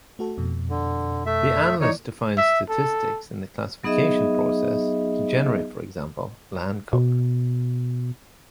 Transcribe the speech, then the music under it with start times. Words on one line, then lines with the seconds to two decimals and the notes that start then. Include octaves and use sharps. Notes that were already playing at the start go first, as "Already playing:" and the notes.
The analyst defines statistics in the classification process to generate for example land cover.
0.19 A3 F#4 A4
0.38 F2 B2
0.70 D3
1.26 A3 E5
1.81 E3 D#4 C#5 D5
2.38 E5
2.69 A4
3.84 F#3 B3 D#4 G#4 D#5 E5
6.93 B2